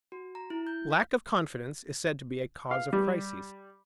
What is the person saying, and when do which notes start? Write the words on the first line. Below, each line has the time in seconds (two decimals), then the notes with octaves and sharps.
Lack of confidence is said to be a cause of crises.
0.12 F#4
0.35 A#5
0.50 E4
0.67 G6
0.91 F5
2.71 F5
2.93 G3